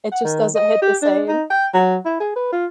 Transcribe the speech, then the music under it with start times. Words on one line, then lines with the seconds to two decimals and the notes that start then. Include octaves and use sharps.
It just doesn't hit the same,
0.12 F#5
0.24 D#3
0.55 D#5
0.82 G4
1.02 D4
1.28 D#4
1.50 G5
1.74 F#3
2.05 E4
2.20 G#4
2.36 B4
2.52 F4